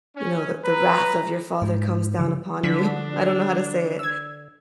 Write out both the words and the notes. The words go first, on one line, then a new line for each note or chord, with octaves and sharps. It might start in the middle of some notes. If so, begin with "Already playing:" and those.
you know, the the wrath of your father comes down upon you, I don't know how to say it,
C#4
B4 A#5
G#2
G2 C#3 E3 F3
D3 F3 D4 B6
E6 G#6